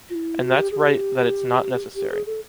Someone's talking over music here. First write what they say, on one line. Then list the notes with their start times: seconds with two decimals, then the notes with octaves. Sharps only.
And that’s right that it’s not necessary.
0.10 F4
0.15 E4
0.41 F#4
0.56 G4
0.72 G#4
0.76 G4
1.96 G4
2.11 G#4
2.26 A4